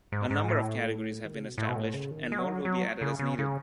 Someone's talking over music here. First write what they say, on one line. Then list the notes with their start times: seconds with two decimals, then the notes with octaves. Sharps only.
A number of categories have been established and more will be added as needed.
0.12 G#2
0.31 G#2
0.48 A2
1.25 D#3
1.35 C#3
1.46 B2
1.58 A2
1.68 B2
1.76 A2
1.94 C#3
2.11 D#3
2.32 G#3
2.39 F#3
2.65 F#3
3.01 C#3
3.19 C#3
3.39 C#3